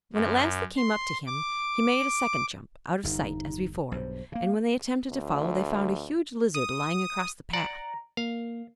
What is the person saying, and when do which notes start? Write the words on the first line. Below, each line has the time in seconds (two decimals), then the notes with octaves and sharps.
When at last they came up to him he made a second jump--out of sight, as before--and when they attempted to follow they found a huge lizard lying across the path.
0.13 F#2
0.77 C6
1.27 D6
3.04 G1 E2 D#4
3.92 B1 G2 C5
4.32 C#3 A#3 F5
5.10 D2
6.55 D#6
7.53 D5 F#5 A#5
8.17 A#3 F5